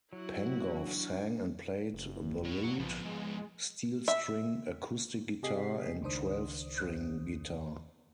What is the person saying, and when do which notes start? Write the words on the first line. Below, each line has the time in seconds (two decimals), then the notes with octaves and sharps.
Pengov sang and played the lute, steel-string acoustic guitar and twelve-string guitar.
0.13 F#3 E4 F#4
0.77 D4
1.93 F#1
2.44 A2
2.63 G2 C#5 F#5
2.79 A#1 F3 B3
3.05 G#3
4.08 E5
5.43 C3 G4 G#4 D#5 B6 C7
6.02 C#2 D#3 D4 C5 D#6